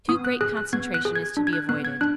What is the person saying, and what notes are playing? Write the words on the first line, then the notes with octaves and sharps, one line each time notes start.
Too great concentration is to be avoided.
B3 D#6
F#6
G#4 F#6
F#6
B3 G#6
F#6
G#4
G#6
D4
G#6
F#6
B3 F#6
G#6
D4 F#6